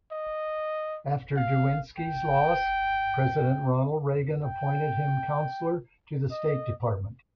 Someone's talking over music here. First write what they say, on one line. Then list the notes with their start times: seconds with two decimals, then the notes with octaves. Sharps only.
After Derwinski's loss, President Ronald Reagan appointed him Counselor to the State Department.
0.12 D#5
1.37 F5
1.98 G5
4.44 G5
6.31 D#5